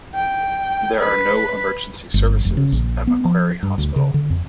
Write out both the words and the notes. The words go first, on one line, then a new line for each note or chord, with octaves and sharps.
There are no emergency services at Macquarie Hospital.
G5
B4
G1
F1
C#3
A#1
B3
F3
G2
D2
C#3
D3
F2